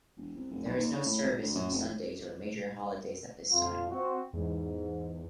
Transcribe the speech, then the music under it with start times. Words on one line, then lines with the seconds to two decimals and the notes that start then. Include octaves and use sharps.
There is no service on Sundays or major holidays at this time.
0.17 E1
0.36 C2
0.51 F1
0.65 B1
0.77 D#2
0.92 C#3
1.05 A2
1.22 G#1
1.42 D2
1.55 F#2
1.71 F1
3.51 F2 F4
3.89 C4 F#4
4.33 E2 G#2